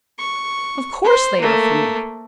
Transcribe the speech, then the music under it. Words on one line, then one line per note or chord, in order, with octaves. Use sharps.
Of course they are for me.'
C#6
C5
A3 A#3